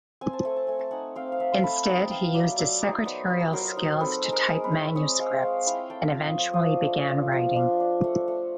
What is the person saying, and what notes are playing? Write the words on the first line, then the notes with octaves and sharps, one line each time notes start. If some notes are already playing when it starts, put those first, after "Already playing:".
Instead he used his secretarial skills to type manuscripts, and eventually began writing.
C4 G#5
A5
A3 G#5
A5
A3 G#5
A5
D#4 F#5 G#5
C4 F5 G5
F5
A3 E5 F#5
C6
A3 A5 B5
D#4 G5 A5
B3 F5 G5
F#3 D5 E5
F#3 D5 E5
D#4 C5 D5
B3 B4 C#5
F#3
F#3 A#4 C5
D#4
C4 A4 B4
G#3
A#4 C5
G#3
B4 C#5
E4
C4 C#5 D#5
G#3 D#5 F5
G#3
E4 F5 G5
A3 G5 A5
F4
C#6 D#6
F3
C#6 D#6
D4
A3
F4
F3
D4
D4
A3
A3